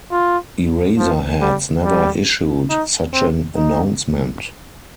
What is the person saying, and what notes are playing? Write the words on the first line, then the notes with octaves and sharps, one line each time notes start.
Eraserheads never issued such an announcement.
F4
F3
G3
G3
D#4
C4
D#4